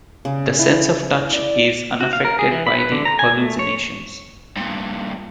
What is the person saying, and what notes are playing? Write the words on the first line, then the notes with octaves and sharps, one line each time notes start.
The sense of touch is unaffected by the hallucinations.
C#3
E4
D5
F#4
F5
A#4
G#4
E3
B5
B4
D3
A#5
G#5
A3
C#5
G2 A#2